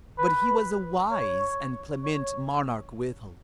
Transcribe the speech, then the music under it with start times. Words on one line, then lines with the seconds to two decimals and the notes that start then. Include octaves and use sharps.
But he was a wise and clement monarch withal.
0.18 B4
1.11 C#5
2.04 C#5